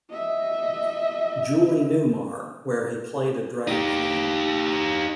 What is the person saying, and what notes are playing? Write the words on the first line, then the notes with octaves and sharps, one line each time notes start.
Julie Newmar where he played a drag queen.
D#5 E5
D#4 G4